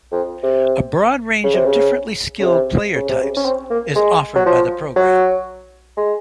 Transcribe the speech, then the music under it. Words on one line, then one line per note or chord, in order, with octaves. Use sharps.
A broad range of differently skilled player types is offered by the program.
F2
C3
C#3
C3
C#3
C#3
C3
C#3
C3
C#3
C#4
C4
A#3
G#3
F#3
F3
F#3
G#3